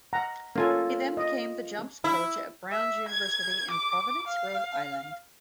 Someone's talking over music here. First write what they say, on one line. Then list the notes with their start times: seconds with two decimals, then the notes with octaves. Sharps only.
He then became the jumps coach at Brown University in Providence, Rhode Island.
0.13 F#5 A#5
0.56 A#3 C#4 F4 A4 G#5
1.17 D#5
2.04 E4
2.71 E5
3.08 G#6
3.71 D6
4.27 F5